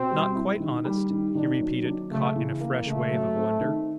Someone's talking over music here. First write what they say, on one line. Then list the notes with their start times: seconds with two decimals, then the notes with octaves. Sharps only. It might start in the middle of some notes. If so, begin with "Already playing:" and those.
"Not quite honest?" he repeated, caught in a fresh wave of wonder.
Already playing: B2 C4
0.10 G3
0.35 E4
0.60 D#3
0.85 G3
1.10 D#3
1.35 D#3 D4
1.61 F#3
1.85 D4
2.10 C#3 A3
2.36 E3
2.60 A#3
2.86 C#3 A3
3.11 F#3
3.36 C4
3.61 D#3